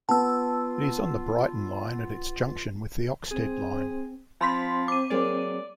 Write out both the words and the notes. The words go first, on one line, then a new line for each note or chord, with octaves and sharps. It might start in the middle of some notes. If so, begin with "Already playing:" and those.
It is on the Brighton Line at its junction with the Oxted Line.
B3 F4 A5 E6
C4 G#4
F3 C4 B5 C6 B6
D6 D#7
F#3 A#3 G#4 D5